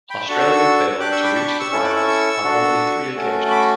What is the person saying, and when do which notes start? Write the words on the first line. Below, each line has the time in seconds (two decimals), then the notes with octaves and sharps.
Australia failed to reach the finals on only three occasions.
0.10 G5 B5
0.28 D4 F#4 A4 A5 C#6
0.40 C#6 E6
0.52 C#6 E6
1.00 D4 G4 D6 F#6
1.12 C#6 E6
1.24 B5 D6
1.36 A5 C#6
1.47 B5 D6
1.60 C#6 E6
1.71 C#4 E4 A4 C#6 E6
1.83 D6 F#6
1.95 C#6 E6
2.07 C#6 E6
2.44 D4 F#4 A4
3.15 A3 C#4 F#4 A4
3.51 B5 D6